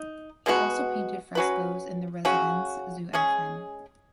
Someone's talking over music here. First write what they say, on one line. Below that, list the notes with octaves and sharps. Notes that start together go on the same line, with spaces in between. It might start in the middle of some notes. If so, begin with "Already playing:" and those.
He also painted frescoes in the Residenz zu Athen.
Already playing: D#4
B2 G#3 B3 F#4
F#3 C#4 F#4 B4
C#3 F#3 C#4 F#4
G#3 C#4 G#4